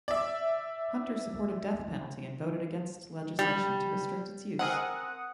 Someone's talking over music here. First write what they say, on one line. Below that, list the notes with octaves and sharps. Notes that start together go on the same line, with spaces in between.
Hunter supported death penalty and voted against legislation to restrict its use.
D5 E5
G3
C4 G#4 A#4 F#5 D#6